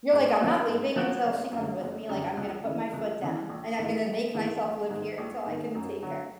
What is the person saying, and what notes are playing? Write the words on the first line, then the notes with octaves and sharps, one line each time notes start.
You're like, "I'm not leaving until she comes with me," like, "I'm gonna put my foot down and I'm gonna make myself live here until I can take her."
G#2
F3 A#3 C#4 F#4
G#2
F3 A#3 C#4 F#4
F#1
F#2 D3
F#1
F#2 D3
C#2
C#3 E3
C#2
C#3 E3
A#1
G#2 E3 G#3
A#1
G#2 E3 G#3
A#1
G#2 D#3 G#3
A#1
G#2 D#3 G#3
F#2
D3 F#3